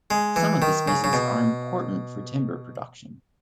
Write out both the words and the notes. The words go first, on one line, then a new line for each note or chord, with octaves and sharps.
Some of the species are important for timber production.
G#3
E3
D#3
C#3
C#3
B2